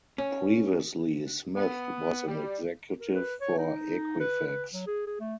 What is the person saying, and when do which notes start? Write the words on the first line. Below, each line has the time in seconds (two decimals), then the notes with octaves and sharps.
Previously, Smith was an executive for Equifax.
0.18 C#4
1.56 B3
2.28 G3
3.00 A#4
3.14 B4
3.40 C#5
3.58 D#4
4.20 B4
4.47 B4
4.73 F#3
4.87 G#4
5.07 G#4
5.20 A3